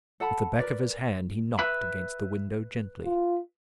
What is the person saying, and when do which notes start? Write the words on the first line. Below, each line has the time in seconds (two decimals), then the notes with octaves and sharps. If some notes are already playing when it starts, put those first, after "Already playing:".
With the back of his hand he knocked against the window gently.
0.20 A4 F#5 A5 B5
0.59 A#4 B4 D5
1.59 B4 E5 B5
3.04 F4